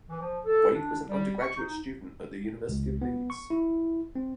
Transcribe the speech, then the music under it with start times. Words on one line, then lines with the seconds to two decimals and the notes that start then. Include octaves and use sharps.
Wade was an undergraduate student at the University of Leeds.
0.08 E3
0.20 F3
0.45 A4
0.75 D4
1.09 G3
1.39 C#6
1.56 D#4
2.69 C#2
3.02 B3
3.30 C#6
3.50 E4
4.15 C4